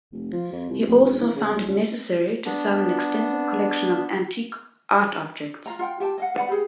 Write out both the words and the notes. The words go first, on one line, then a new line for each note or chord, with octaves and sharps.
He also found it necessary to sell an extensive collection of antique art objects.
F1
F3
F2
C2
F#1
E1
E3
C#3
B1
C#2
B3 D4
F4 F5 A#5
F4 F#5 G5
G4 G5 A5
D#5 F5 F#5
B4 D5 F#5 B5
G4 G#4